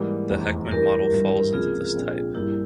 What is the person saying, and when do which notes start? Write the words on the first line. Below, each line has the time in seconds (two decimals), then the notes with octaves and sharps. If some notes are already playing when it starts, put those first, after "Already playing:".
The Heckman model falls into this type.
Already playing: G#2 E3 G3 A#3
0.30 F1 E2 E3
0.71 G1 G2 E3 G3 G4 A#4
1.12 G#1 G2 E3
1.53 C#2 C3 F3 A#3 F4 G#4
1.94 A#1 A#2 F3 C4
2.35 G1 G2 G3 A#3 E4 G4